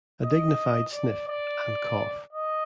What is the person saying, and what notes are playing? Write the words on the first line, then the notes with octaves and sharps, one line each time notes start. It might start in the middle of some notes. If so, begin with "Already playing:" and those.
A dignified sniff, and cough.
D#5
D5
D5
D#5